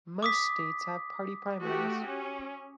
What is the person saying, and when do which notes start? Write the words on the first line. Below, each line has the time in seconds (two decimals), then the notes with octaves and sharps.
Most states have party primaries.
0.22 D6 D#6 B6
1.64 A3 F#4 G4
2.08 C#4